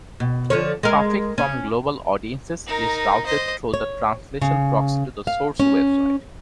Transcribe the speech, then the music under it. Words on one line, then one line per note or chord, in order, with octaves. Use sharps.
Traffic from global audiences is routed through the translation proxy to the source website.
B2
D3 F3 C#5
G#3 A#4
C#4
D#4 A#4
C5 D#5
C#5
C#3
F5
C#4